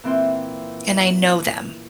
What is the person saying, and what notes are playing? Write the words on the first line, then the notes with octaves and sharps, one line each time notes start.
and I know them,
A#2 E3 C4 G5 C6